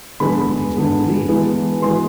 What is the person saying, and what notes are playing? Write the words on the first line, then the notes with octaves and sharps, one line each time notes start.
Who could these men be?
D3 G#3 B3 B5
D3 G#3 B3
E3 G#3 B3
E3 G#3 B3 C6